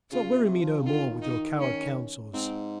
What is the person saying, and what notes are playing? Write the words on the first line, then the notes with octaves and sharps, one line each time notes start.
So weary me no more with your coward counsels.
C#3 F4
C3
F3
C#3
D#3 F4
D#4
C#4
G#2 C4